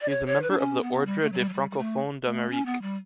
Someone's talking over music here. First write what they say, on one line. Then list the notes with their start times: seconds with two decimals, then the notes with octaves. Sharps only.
He is a member of the Ordre des francophones d’Amérique.
0.01 D5
0.09 C#5
0.26 C#5
0.42 B4
0.50 D4
0.58 C#4
0.82 B3
1.06 G3
1.22 A3
1.32 F#3
1.38 G3
1.49 F#3
1.53 G3
1.71 G3
1.78 A3
2.26 A3
2.50 C#4
2.66 B3
2.82 G3